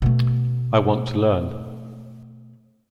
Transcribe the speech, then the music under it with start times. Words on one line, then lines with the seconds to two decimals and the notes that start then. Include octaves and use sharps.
I want to learn.
0.02 B2 A3